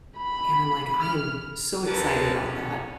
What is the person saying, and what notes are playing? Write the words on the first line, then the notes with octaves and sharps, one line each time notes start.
and I'm like, "I am so excited about that."
B5
F6
D2 C#4 A#4 B4 A5 A#5
C#4